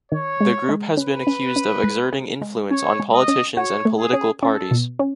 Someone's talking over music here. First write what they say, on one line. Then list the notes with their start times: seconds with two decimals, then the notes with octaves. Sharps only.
The group has been accused of exerting influence on politicians and political parties.
0.12 D#3 C#5
0.40 G#3
0.69 G#3
0.97 C#4 B4
1.27 C#4
1.56 C#4
1.84 G#3
2.13 G#4
2.41 G#3
2.70 C#4 C#5
3.00 G#3
3.13 D#5
3.28 C#4
3.57 F#4 C#5
3.85 A3
3.99 G#4
4.13 C#4
4.42 C#4 A4
4.71 B2
4.99 C#4